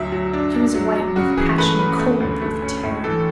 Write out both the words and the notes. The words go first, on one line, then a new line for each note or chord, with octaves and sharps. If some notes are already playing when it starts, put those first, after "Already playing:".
She was white with passion, cold with terror.
Already playing: D2 F#3 E5
F#3
D4
D4
F#3
F#3
C#3 F#4
E3 G#4
A3 B4
C#3 B4
A3
D2
A3
C#4
A2
E3 A4